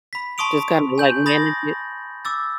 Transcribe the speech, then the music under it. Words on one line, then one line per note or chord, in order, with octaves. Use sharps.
just kinda, like, manage it.
B5 B6
A5 C6 C#6 D#6 D7 F7
G#5 G6 F#7
B5 D#6 A6 A#6 F#7
D6 E6 A6